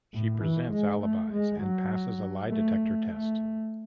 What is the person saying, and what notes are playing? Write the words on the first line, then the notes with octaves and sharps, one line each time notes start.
She presents alibis and passes a lie detector test.
A2
E3
G#3
A3
G#3
F#3
A3
A3